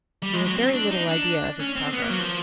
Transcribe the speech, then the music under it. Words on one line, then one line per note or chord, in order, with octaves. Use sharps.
He had very little idea of his progress.
G3
G#3
F#3
C4
D4
D#4
D4
C#4
C4
B3
A#3
F#3
F3